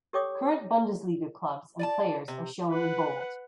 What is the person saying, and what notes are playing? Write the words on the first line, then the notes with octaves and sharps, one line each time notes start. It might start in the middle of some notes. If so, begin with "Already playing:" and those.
Current Bundesliga clubs and players are shown in bold.
G4 A4 C#5 G5 D6 D#6
D5 G#5 A5
C3
B4 F#5